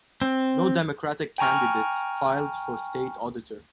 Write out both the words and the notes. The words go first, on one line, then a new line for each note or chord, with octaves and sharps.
No Democratic candidates filed for State Auditor.
C4
G5 G#5 A#5 C#6 F6